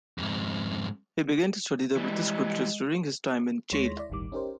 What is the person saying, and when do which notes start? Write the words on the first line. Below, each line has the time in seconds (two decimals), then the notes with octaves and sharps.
He began to study the Buddhist scriptures during his time in jail.
0.18 F2 G#2
1.96 E3 G3 G#3
3.72 D#2 G#3 C#5 C6 A#6 B6
3.97 E4 D5
4.10 G1 C#2 A2 D#3 G3 D6
4.32 C#4 D#4 G4 A#4 C5